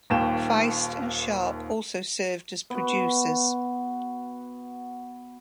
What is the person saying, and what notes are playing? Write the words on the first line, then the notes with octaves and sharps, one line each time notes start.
Feist and Sharpe also served as producers.
D#1 D#2 G5 E7
B3 F#4